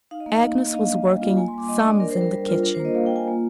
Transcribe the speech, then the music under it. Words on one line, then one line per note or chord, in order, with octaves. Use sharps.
Agnes was working sums in the kitchen.
D#4 F5
D#5
A#3 F5
D#4
A#3
D#5
D4 F5
G3
G3
F4
A#3 G#5
C6
G3 D6
G3 D#5
D#5
D4 D5
D4 A#4
C5
G3 A#4
G3
F4
D4 A#4
C5
A#3
D#5
A#3 F5
G5
F4 G#5
A#3